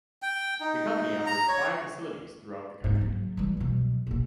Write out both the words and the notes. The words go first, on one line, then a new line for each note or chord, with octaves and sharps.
The company operates five facilities throughout the country.
G5
D#4
A#5
C#5
G#2
F#1 F#3
E3 G3
B2 F#3
A#1 B2